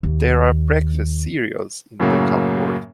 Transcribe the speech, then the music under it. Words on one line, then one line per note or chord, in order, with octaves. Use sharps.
There are breakfast cereals in the cupboard.
D#2
F#2 A2 C#3 F#3 A#3